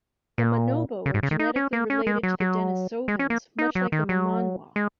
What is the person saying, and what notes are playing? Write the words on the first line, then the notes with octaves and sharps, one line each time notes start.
The Manobo are genetically related to the Denisovans, much like the Mamanwa.
A#2
C#3
G#2
C#3
D#3
D#4
C#4
A#3
C#4
G#3
F#3
F#3
G#3
C#4
A#3
D#4
F#3
D#3
F#3
G#3